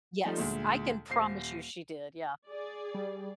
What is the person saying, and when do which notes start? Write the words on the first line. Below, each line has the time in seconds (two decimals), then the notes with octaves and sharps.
Yes, I can promise you she did, yeah.
0.25 F3 G3 A3 D#4
0.37 D2 A#2 G#3
1.10 D#1 C5 C7
2.49 G#4 D5
2.94 G3